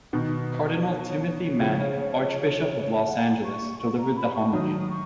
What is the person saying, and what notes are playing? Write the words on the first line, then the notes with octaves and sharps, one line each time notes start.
Cardinal Timothy Manning, Archbishop of Los Angeles delivered the homily.
B2 D#3 B4
C#5
C#5
C#3 F3
F#5
C#6
C#6
A#5
B5
C#6
D#3 F#3 D#6
C#6